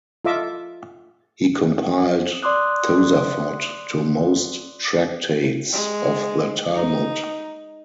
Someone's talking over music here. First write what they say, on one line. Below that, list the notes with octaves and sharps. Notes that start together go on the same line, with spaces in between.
He compiled tosafot to most tractates of the Talmud.
F4 A4 D#5 E5 D6
D5 C6 D6 D#6 F#6
G#3
D#4